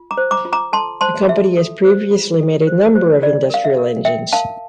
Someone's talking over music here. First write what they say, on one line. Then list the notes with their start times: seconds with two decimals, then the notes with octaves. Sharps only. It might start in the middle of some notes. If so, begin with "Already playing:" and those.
The company has previously made a number of industrial engines.
Already playing: F4
0.11 A#5 D6
0.17 C5
0.31 A#5 D6
0.45 F4
0.53 A#5 D6
0.73 A4 A5 C6
1.01 C5 A5 C6
1.29 F4 E5
1.57 A4
1.84 C5
2.11 F4
2.40 A4
2.67 C5
2.95 C5
3.22 F4 D5
3.50 A#4 F5
3.65 E5
3.78 A#4
4.05 A#4 E5 G5
4.33 A#4 F5 A5